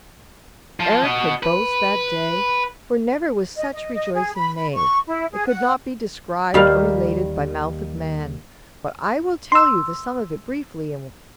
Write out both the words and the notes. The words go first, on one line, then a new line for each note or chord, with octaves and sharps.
Erec could boast that day, for never was such rejoicing made; it could not be described or related by mouth of man, but I will tell you the sum of it briefly and with few words.
F3
F#4 D#5
B4
D#5
D#5
D#5
G#4
B5
B5
C#6
E4
G#4
F#5
D#2 G3 F5
C6 E6